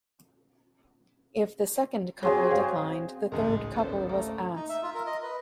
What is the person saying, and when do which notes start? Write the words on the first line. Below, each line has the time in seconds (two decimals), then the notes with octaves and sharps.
If the second couple declined, the third couple was asked.
2.23 F#3 C4 G4 G#4 C#5
2.50 C5 F5
2.89 C4
3.32 G#1 C#2 A2 F3 G#3 G#4 A#4
3.76 E2 C#4 A4 A#4 C5
4.09 A3 A#3 A#5
4.56 D#4
4.69 E5
4.83 F4
4.95 A#4
5.07 D#5
5.23 B4